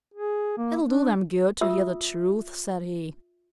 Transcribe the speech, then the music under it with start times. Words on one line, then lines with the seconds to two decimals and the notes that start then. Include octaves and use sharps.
"It'll do them good to hear the truth," said he.
0.14 G#4
0.58 A#3
0.84 D4
1.61 F4 E5 D#6 E6